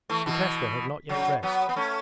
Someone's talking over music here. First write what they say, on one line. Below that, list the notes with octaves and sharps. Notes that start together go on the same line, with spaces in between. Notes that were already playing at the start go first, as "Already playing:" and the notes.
Lukashka had not yet dressed.
E3 A3
B2 E3
C#3 F#3
F#3 B3
B3
A3 C#4